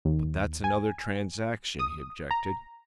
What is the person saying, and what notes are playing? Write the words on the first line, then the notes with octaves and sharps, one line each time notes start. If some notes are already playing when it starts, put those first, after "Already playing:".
"But that's another transaction," he objected.
D#2
G#5
D#6
A#5